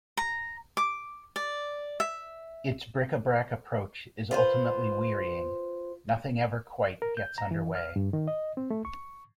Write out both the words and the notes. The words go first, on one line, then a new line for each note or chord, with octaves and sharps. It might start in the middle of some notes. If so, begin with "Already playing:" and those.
Its bric-a-brac approach is ultimately wearying: nothing ever quite gets under way.
A#5
D6
D5
E5
F4 B4 C5
A#4
G6
A#5
E3
F6
G2
D#3
D#5
C4
A3
C#6